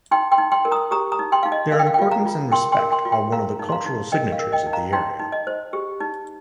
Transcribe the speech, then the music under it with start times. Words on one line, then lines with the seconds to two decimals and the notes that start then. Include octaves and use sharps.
Their importance and respect are one of the cultural signatures of the area.
0.11 D#4 G5 C6
0.32 G5 C6
0.38 D#4
0.52 G5 C6
0.65 A#4
0.71 A#5 D#6
0.91 G4 A#5 D#6
1.12 A#5 D#6
1.19 D#4
1.32 G5 C6
1.43 D#4 F5
1.52 D#5
1.72 A#4 F5
1.79 G5
1.87 F5
1.94 G5
1.99 F4 F5
2.11 F5 A#5
2.26 F4
2.52 A#4 G5 C6
2.72 G5 C6
2.79 A#4
2.92 G5 C6
3.05 F4
3.12 G5 C6
3.32 A#4 F5 A#5
3.59 D#4
3.69 C6
3.72 F5 A#5
3.86 D#4
4.12 A#4 D#5 G5
4.32 F5
4.39 A#4
4.52 D#5 G5
4.67 D#4
4.73 F5 A#5
4.92 D#4 G5 C6
5.19 D#4
5.32 D#5
5.47 C5
5.73 G4
6.00 D#4